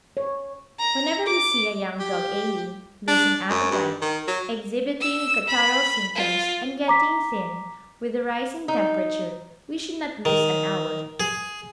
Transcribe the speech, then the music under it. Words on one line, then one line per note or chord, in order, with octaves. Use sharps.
Whenever we see a young dog ailing, losing appetite, exhibiting catarrhal symptoms, and getting thin, with a rise in temperature, we should not lose an hour.
C#5
A#5
D6
G4
D4
F#2
G2
D#3
F#3
E6
B5
F4
A#5 D6 B6
D#4
D#3
G#4